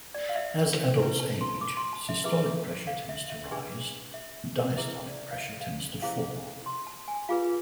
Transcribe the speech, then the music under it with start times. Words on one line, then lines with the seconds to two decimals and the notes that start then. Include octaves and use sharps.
As adults age, systolic pressure tends to rise and diastolic pressure tends to fall.
0.14 D5
0.29 F5
0.36 E5
0.98 E4 B4
1.20 A5
1.41 C6
1.61 D6
1.77 C6
1.93 A5
2.09 E5
2.24 E4 G#4 B4 E5
2.87 F5
3.09 E5
3.30 E5
3.51 D4 G#4 B4
4.14 E5
4.77 E4 G#4 B4 E5
5.08 D5
5.31 F5
5.40 E5
5.61 F5
6.02 E4 G#4 C5 F5
6.66 C6
6.87 A5
7.08 G#5
7.29 F4 G#4 B4 F5